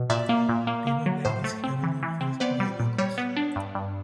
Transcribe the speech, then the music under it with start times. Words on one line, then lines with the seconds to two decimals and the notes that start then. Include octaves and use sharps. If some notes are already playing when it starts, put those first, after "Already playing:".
Beaver Lake is heavily fished by locals.
Already playing: B2
0.10 A#2 D5 E5
0.29 A#3
0.49 A#2
0.67 A#3
0.87 A#3
1.06 F#3
1.25 A2 C5
1.44 A3
1.64 C4
1.83 E3
2.03 E3
2.21 C4
2.40 B3 C5 D5
2.60 G3
2.80 A#2
2.98 G3 C#5
3.18 B3
3.37 D4
3.56 G2
3.75 G2